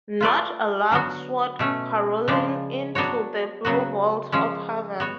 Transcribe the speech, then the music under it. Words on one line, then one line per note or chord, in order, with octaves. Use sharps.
Not a lark soared carolling into the blue vault of heaven.
A3 F4 B4 D5
D3 F#3 B3 F#4
B2 A3 C#4
C#3 F3 G#3 D4
F#3 B3 D4 F#4 C#5
C#3 F#3 B3 F#4
F3 G#3 C#4
B3 F#4 C#5